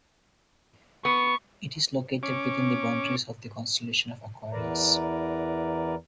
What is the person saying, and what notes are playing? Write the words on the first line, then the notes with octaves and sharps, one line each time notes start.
It is located within the boundaries of the constellation of Aquarius.
B3 C#6
C#4 D6
E2 E3 A#4 B4 D5 A#5